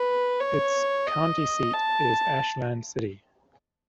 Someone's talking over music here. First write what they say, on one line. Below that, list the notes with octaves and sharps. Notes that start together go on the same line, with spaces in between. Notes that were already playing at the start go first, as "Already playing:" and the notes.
Its county seat is Ashland City.
Already playing: B4
C#5
D#5
A5